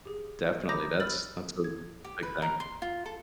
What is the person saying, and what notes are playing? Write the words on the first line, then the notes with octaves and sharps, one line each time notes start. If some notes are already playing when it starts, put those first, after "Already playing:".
Definitely, that's that's a that's a big thing.
G4 G#4
A#5 B5 D6 D#6 G6 A#6
B5 E6 F6 A6 F#7
G#6
G4
B4
A#4
C6
F4
A4